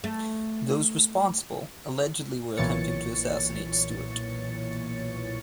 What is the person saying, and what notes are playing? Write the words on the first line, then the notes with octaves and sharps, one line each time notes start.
Those responsible allegedly were attempting to assassinate Stewart.
A3
B1 A#2 E3 C#5 A6 C#7